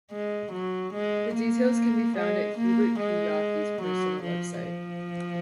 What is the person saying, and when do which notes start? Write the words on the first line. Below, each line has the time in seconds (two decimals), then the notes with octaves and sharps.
The details can be found at Hubert P. Yockey's personal website.
0.11 G#3
0.52 F#3
0.94 G#3
1.35 A#3
2.17 G#3
2.58 A#3
2.99 G#3
3.82 F#3
4.23 F3
4.64 F3